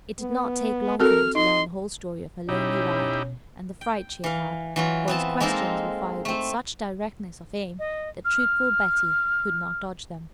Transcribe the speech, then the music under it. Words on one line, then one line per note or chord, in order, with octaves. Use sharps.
It did not take long for him to learn the whole story of her lonely ride, and the fright she had had, for his questions were fired with such directness of aim that truthful Betty could not dodge them.
B3
C4 F#4 A4 A#4 F6
D#4 D#5 C6
B2 C#4 D#4 E4 G4
G5
E3 F5
E3 F#3 F4
B3 C4 A5
G#3 A#3 C4 D#4 A4 A#4
A3 C4
D#5
F6